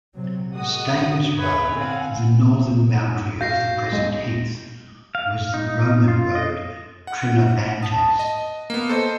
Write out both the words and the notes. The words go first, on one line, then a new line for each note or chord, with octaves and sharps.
Staines Road, the northern boundary of the present Heath, was the Roman Road, "Trinobantes".
C3 F#3
A2 G#3 F#4 A#4 D#6
G#2 D3
G#4 B4 C#5 D#5 E5
C4 F5 F#5 G#5
F#4 F5 G6 A#6 C7
B1 G#3 D#5
F5
D#4
F4
D#5
F#5
B3 A5 D#6
D#5
A#3 B3
A4 C5 D#5 C#6